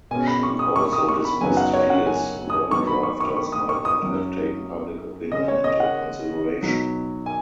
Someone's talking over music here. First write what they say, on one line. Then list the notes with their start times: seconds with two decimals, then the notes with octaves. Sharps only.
She also dismissed fears law drafters might not have taken public opinion into consideration.
0.11 B2 G#3 C#4 G#5
0.27 B5
0.43 C#6
0.59 D#6
0.76 C#6
0.93 D#6
1.09 C#6
1.25 B5
1.41 F#2 C#3 F#3 B3 D#4 G#5
1.57 F#5
1.74 C#5
1.90 F#5
2.06 G#5
2.50 D#6
2.71 D#3 F#3 B3 C#6
2.87 B5
3.03 C#6
3.20 C#6
3.37 C#6
3.52 D#6
3.69 C#6
3.85 D#6
4.01 F#2 F#3 C#4
5.32 C#3 G#3 C#4 D#5
5.48 C#5
5.64 D#5
5.80 F#5
6.61 B2 F#3 D#4
7.26 G#5